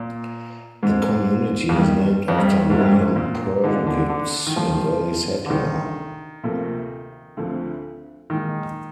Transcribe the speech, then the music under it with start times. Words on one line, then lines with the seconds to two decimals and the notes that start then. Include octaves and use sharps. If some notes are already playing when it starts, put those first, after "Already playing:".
The community was named after William Purgit, an early settler.
Already playing: A#2
0.83 G#2 D3 G#3 C4
1.69 F2
1.76 G2 D#3 G3 A#3 D#4
2.28 F2
2.39 G2
2.70 C2 G#2 C3 D#3 G#3 D4
2.81 G2
2.92 G#2
3.16 A#2
3.62 D3 D#3 G#3 C4 F4
3.87 D3
4.09 D3
4.47 D#3
4.56 D2 C3 F3 G3
5.46 D3
5.49 D2 C3 D#3 G3 D4 G#4
6.43 D2 C3 F3 A#3
7.37 D2 D3 F3 C4
8.30 A#2 D#3 G#3 D#4